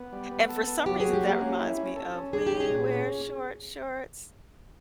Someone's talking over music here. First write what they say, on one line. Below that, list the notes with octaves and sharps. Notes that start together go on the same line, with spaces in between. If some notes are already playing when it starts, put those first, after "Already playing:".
And for some reason, that reminds me of: We wear short shorts.
Already playing: B3
G3
B3
A4
B3
F#3 G4
F#4 G#4
G4
A#3
C#4
E4
C#4
A4
C#4
G3 G#4
G4
C#4
G#4
A#2
C#4